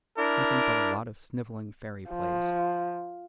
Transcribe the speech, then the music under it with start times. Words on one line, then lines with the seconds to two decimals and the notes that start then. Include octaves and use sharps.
Nothing but a lot of snivelling fairy plays.
0.18 D4 E4 A#4
2.10 F3